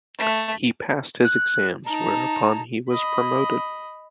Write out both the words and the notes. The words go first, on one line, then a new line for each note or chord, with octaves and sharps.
He passed his exams, whereupon he was promoted.
A3
F#6
D#4 A5 A#5
D#5 B5